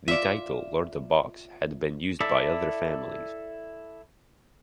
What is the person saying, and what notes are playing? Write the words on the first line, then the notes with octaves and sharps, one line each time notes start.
The title "Lord of Baux" had been used by other families.
F4 D5 E5
E4 A4 D5 E5